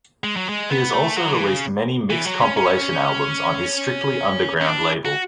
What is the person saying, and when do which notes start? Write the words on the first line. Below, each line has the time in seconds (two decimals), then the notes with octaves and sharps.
He has also released many mixed compilation albums on his Strictly Underground label.
0.24 G#3
0.36 F#3
0.49 G#3
0.70 B3
0.94 A3
1.17 F#3
1.33 E3
1.48 C#3
2.10 E3
2.25 F#3
2.41 C#4
2.57 C#4
4.61 C#4
4.66 D4
5.05 F#4